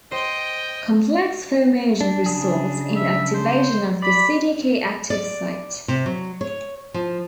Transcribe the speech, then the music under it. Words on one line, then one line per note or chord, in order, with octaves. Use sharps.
Complex formation results in activation of the Cdk active site.
C5 D#5 G5
D4
C#3 G#4
E5
C5
D5 B5
D5
C3
F#3
C#5
F3